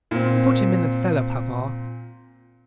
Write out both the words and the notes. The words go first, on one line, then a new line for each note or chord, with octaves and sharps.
Put him in the cellar, papa.
A#2 C4